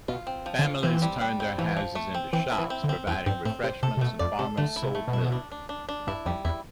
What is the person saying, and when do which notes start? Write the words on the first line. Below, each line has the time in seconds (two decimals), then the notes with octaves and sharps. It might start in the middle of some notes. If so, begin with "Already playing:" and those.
Families turned their houses into shops providing refreshments and farmers sold milk.
0.08 B2 F4
0.27 C4
0.46 F3
0.59 D3
0.64 F4
0.83 E3 C4
1.02 G3
1.21 G3
1.40 C4
1.58 E3 F3
1.77 F3
1.95 A3
2.14 C4
2.33 E3 C4
2.52 E4
2.58 E3
2.70 C4
2.83 D3
2.89 C4
3.07 E2 C4
3.26 G2 C4
3.45 A2 C4
3.63 C3 C5
3.82 C3 A4
3.97 C3
4.01 B2 A3
4.19 F2 D5
4.39 C3 A4
4.57 D3 A3
4.76 E4
4.82 C3
4.95 A3
5.07 B2
5.13 E4
5.32 D4
5.52 D4
5.69 D4
5.89 D4
6.07 G2 E4
6.25 F2 G3
6.44 E2 E4